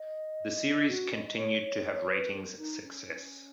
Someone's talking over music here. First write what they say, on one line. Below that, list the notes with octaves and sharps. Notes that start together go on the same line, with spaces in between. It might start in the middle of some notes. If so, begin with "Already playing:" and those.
The series continued to have ratings success.
Already playing: D#5
F#4
D#5
D#5
C#5
C#5
C#5
B4
A#4
D#4
C#4